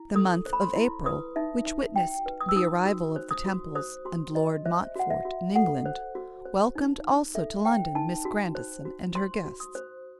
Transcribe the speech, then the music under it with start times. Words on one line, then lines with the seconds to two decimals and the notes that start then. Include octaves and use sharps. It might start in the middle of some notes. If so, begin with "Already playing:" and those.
The month of April, which witnessed the arrival of the Temples and Lord Montfort in England, welcomed also to London Miss Grandison and her guests.
Already playing: E4
0.15 A4 D#6
0.46 C5
0.53 B5
0.61 C6
0.75 E4
1.05 B4 D#6
1.36 D#4 E5
1.65 D#4 E5
1.96 F#4 G5
2.26 B4
2.41 D#6
2.49 E6
2.56 D#4 D#6
2.86 F#4
3.16 C5
3.31 D#6
3.46 F#4
3.75 C5 D#6
4.05 F#4 C6
4.35 C5 D#5
4.66 C5 E5
4.95 F#4 F#5
5.10 E5
5.25 F#4
5.56 A4 F#5
5.86 C5
6.15 F#4
6.46 C5
6.75 D#4
7.05 D#4
7.35 A4 E5
7.65 C5 G5
7.95 D#4 A5
8.25 F#4
8.55 C5
8.85 F#4
9.15 C5 C6
9.45 F#4
9.60 D#6
9.75 C5